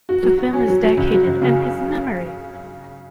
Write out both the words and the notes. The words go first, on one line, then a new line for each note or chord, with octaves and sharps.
The film is dedicated in his memory.
F#4
F#3
F#4
C#4
F#3
F#3
C#2
F#3
C#2
C#3